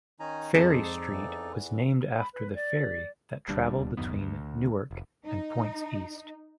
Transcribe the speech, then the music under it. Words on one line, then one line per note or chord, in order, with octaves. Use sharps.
Ferry Street was named after the ferry that traveled between Newark and points east.
D#3 C#4 D#4 G#5 A#5
F2 G#2 D#4 G#4 A4 C5 D5 A5
E2 E3
B5
B4
D5
D#1 D2 G3 D4
D1 F#2 D#3 B3
D2
F1
D#4